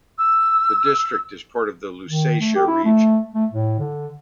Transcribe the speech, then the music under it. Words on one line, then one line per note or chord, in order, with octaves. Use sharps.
The district is part of the Lusatia region.
E6
D#3
A3
G4
E4
A3
A3
A2
D3